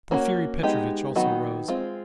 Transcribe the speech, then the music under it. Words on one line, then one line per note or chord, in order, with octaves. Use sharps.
Porfiry Petrovitch also rose.
A#3 C#4 F#4
G#3 B3 D#4 G4
D#3 F#3 B3 D#4 F#4
G#3 C4 F4